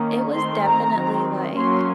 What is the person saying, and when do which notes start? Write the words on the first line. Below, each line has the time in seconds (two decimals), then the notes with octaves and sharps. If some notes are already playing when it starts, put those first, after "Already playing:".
it was definitely, like
Already playing: D#3 A#3 C#4
0.33 D#3 A3 C4 C6
0.64 A#5
0.95 D#3 F#3 C4
1.55 F#3 A#3 C#4 C6